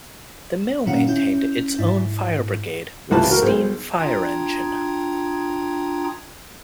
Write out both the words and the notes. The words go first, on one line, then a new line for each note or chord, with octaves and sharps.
The mill maintained its own fire brigade with steam fire engine.
A#2 D#3 C#4 F5 F#5 C#7
C#4 E4 G6
G#2 E4
C#2 C3 E3 F4 B4 A5
F#4 A#4
B1 G#4 C5
D4 F4 G5 A#5 D#6 G#6